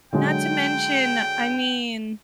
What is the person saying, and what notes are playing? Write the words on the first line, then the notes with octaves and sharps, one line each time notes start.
Not to mention, I mean,
D3 F#3 G#3 G5